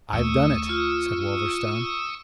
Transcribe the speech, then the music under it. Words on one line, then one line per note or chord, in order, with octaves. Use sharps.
"I've done it," said Wolverstone.
D#2 A3 C#6 D#6 E6
F4